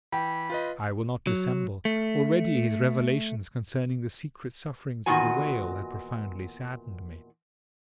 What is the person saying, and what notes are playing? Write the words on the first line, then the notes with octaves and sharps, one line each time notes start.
I will not dissemble; already his revelations concerning the secret sufferings of the whale had profoundly saddened me.
E3 G5 B5
F4 B4 D#5
F#3
A3
E2 A#2 D#3 B3 F#4 G#5